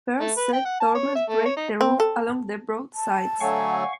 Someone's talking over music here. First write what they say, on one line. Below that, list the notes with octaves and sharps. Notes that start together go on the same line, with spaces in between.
Paired shed dormers break the roof along the broad sides.
A3
B4
G5
F#5
A5
C#5
E5
A3
C#5
D#4
C4
A4
A5
D3 F#3 A3 F5 F#5 G#5 C#6